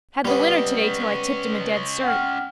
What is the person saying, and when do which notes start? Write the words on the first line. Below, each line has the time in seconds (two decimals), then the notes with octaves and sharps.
Had the winner today till I tipped him a dead cert.
0.25 G3 B3 C#4 D#5
2.03 F#5 G5 F6